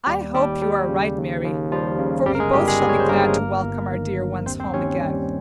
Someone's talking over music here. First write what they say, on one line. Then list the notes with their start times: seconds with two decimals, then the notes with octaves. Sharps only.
"I hope you are right, Mary, for we both shall be glad to welcome our dear ones home again."
0.07 D#2 G3 G4
0.34 D#2 G3 G4
0.62 G3
0.89 C#3
1.17 D#2
1.44 D#2
1.72 F3 G3 F4
1.99 C#3
2.26 G1 G3 G4
2.35 A#4
2.40 G#3 G#4
2.53 G1 G3 G4
2.68 G#3 G#4
2.81 G3
2.89 C#5
3.00 C5
3.08 G2 A#3 A#4
3.37 G1
3.64 G1
3.92 D#3
4.18 G2
4.46 D#2 C4 C5
4.60 C4 C5
4.73 D#2 C#4 C#5
5.01 G3